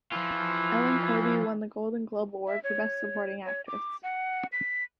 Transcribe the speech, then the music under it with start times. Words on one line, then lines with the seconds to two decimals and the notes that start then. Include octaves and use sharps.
Ellen Corby won the Golden Globe Award for Best Supporting Actress.
0.12 E3 F3 F4
2.47 E5
2.64 C#5
3.46 C#5
3.67 D6
4.03 F#5
4.52 B6